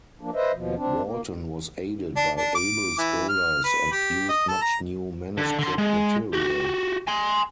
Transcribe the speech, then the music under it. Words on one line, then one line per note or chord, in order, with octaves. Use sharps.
Walton was aided by able scholars and used much new manuscript material.
F3 A#3 D4
B4 C5 D#5 E5
D#2 B2 F3
C4 D4
A#3
D4
D4
D6
E3
F6
B4
G4
D#5
A4
A#5
D3
D3 C6
G#3
F#4 G4
G#5 C6